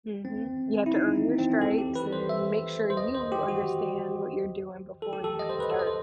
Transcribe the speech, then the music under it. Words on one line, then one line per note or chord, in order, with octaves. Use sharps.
Mhm. You have to earn your stripes and make sure you understand what you're doing before you can start.
C4
E4
D#4
C4
C4
A4
G4
B4
C5
E5
C5
D#5
C5
G4
F#4
A4
G4
A4
D#5
C5
B4
A4
D#5
C5